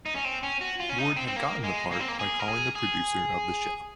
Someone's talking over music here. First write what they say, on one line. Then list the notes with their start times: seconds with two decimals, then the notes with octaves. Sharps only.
Ward had gotten the part by calling the producer of the show.
0.06 D#4
0.15 C#4
0.24 C4
0.43 C#4
0.61 F#4
0.80 F4
0.89 C#4
0.98 D#4
1.17 C4
1.27 C4
1.36 A#3
1.64 G#3
1.92 A#3
2.00 C4
2.08 A#3
2.19 G#4
2.40 A#4
2.48 G#4
2.75 G#4